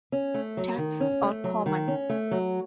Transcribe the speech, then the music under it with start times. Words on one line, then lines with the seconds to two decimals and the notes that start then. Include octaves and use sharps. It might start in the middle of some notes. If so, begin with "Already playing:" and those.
Taxis are common.
0.12 C#4
0.34 A3
0.57 F#3
0.78 D#3
1.01 C#4
1.22 A3
1.44 F#3
1.66 D#3
1.88 C#4
2.10 A3
2.31 F#3